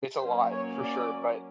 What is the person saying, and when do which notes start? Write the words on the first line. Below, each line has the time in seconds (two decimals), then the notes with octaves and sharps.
it's a lot, for sure, but
0.20 F#3 A#3 C#4 C5
0.51 C#5
0.81 D5